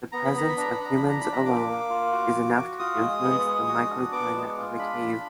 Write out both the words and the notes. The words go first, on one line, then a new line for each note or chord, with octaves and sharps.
The presence of humans alone is enough to influence the microclimate of a cave.
B3 A#5
B5
B3 A#5
B5
D4 A#5
B5
D4 A#5
D4 B5
A#5
D4 B5
A#5
A#3 D6
A#3
F4
F#4
F#4
F#4
F4 D#6
G#3
B3
G#3
F#4
D4
B3 D6
G#3
F4
D4 B5
D4